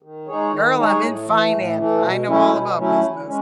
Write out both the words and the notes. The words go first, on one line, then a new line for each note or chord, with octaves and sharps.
Girl, I'm in finance, I know all about business.
D#3
G#3 D#4 G#4 C#5
D#3
G#3 D#4 G#4 C#5
A2
E3 A3
A2
E3 A3
B2
F#3 A3 C#4 E4
B2
F#3 A3 C#4 E4
E2
G#3 C#4